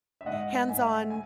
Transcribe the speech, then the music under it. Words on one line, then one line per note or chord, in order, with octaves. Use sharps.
Hands on,
E5
G#2 D#5 F#5
G#2 E5 G#5
G#5